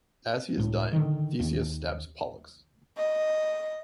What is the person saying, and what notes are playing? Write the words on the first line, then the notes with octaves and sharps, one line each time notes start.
As he is dying, Theseus stabs Pollux.
C#2 A2
D3 D#3
D#2
D#5